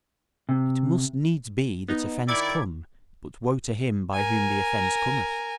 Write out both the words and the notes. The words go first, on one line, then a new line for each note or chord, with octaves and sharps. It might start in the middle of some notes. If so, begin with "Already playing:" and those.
It must needs be that offence come, but woe to him by whom the offence cometh.
C3
B3 D#4
D#3 E4 D5 B5 D6 G#6
A#4 G#5